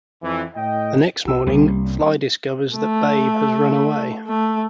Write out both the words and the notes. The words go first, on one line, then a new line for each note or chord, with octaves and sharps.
The next morning, Fly discovers that Babe has run away.
F2 E3
A2 D#5 G5
B1 F#4 E6
C2 G3 A#3 C#4
A3
A3